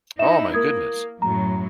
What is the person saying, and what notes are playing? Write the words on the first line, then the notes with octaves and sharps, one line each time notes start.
Oh my goodness.
D#4 E4 E5 E7
A#3 A#4 D#6 G#6
F#2 A2 F#3 A#5